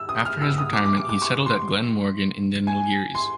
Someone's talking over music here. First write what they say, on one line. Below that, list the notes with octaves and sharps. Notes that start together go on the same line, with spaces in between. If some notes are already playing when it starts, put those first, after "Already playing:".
After his retirement he settled at Glen Morgan in the Nilgiris.
Already playing: E6
D#6
F6
E6
D#6
D6
D6
D6
D6
C#6
C6
G#5
C6